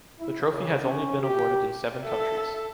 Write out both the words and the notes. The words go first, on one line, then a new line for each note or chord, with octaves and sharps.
The trophy has only been awarded in seven countries.
E4
C#3
C#4
G4
A4 E5